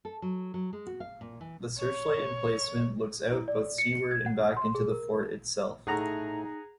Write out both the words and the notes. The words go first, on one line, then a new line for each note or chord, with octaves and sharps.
The searchlight emplacement looks out both seaward and back into the fort itself.
A4
F#3
F#3
G#3
F#4
F5
A#2
E3
C#5
E4
D5
C#7
G#6
F#5
C6
G#4
A#4
A2 A3 D#4 G#4 F#5 A#5